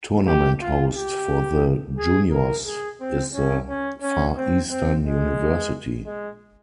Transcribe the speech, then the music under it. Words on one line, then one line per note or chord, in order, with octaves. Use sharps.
Tournament host for the juniors is the Far Eastern University.
G4
F4
G4
G#4
A#4
G#4
C4
C#4
C#4
C#4
C4
C4
G#3
G#3